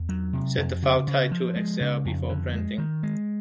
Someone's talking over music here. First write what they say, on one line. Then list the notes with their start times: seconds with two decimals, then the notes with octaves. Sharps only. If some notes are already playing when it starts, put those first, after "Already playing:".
Set the file type to Excel before printing.
Already playing: E2
0.09 F#3
0.33 C3
0.58 F2
0.82 C#3
1.07 C#3
1.31 F3
1.56 G#3
1.81 C#3
2.05 F2
2.29 D3
2.54 G#3
2.78 D#3
3.03 G#3